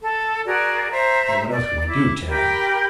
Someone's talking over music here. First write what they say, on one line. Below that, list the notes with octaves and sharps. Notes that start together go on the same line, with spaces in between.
"But, what else can we do, Tad?"
A4
F#4 G#4 A#4 D5
C5 E5 A#5
D5
E4 D6
G4 A#4 G5 B5